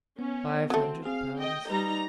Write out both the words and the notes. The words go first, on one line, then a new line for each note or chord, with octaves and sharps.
Five hundred pounds!
B3 C#4
F#3 A3 C4
C4 G#4 F5
D#5 G5
G3 D#4 B4 A#5